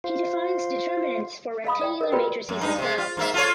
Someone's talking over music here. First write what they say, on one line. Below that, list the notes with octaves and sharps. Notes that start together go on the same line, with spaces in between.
He defined determinants for rectangular matrices as well.
F4 C5 F5
D#5 F5 B5 D#6
D5 G5
A#4 D#5
F4 F#4 A#4 B4 D5 G5
F#2
G2 D#4
C3 G#3
F4
G#2 A#3 E5
F4 A4 C#5